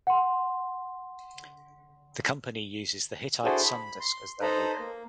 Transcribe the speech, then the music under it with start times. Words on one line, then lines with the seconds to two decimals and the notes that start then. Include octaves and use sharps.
The company uses the Hittite sun disk as their logo.
0.07 F#5 C6
3.44 D4 E4 F#4 G#4 A4 C5
3.62 B5
4.00 C6
4.41 D#4 A4 B4 C5 A#5 B5
4.79 A#3